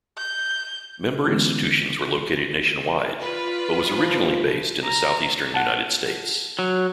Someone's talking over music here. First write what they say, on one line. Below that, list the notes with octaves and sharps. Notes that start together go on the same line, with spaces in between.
Member institutions were located nationwide, but was originally based in the southeastern United States.
G6
D3 E3 G#3 B3 C#4 E4
F4 B4 D5
F3
A#5
F#5 A5
F#3